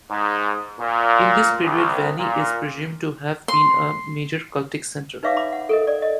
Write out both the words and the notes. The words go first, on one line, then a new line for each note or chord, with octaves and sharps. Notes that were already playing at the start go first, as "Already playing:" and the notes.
In this period Vani is presumed to have been a major cultic centre.
G#2
A#2
C2
A#2
C6
D#4 B4 C#5 E5 F5 D6
B5 D6
F#5
A4 A#4 D#5
D5
D#5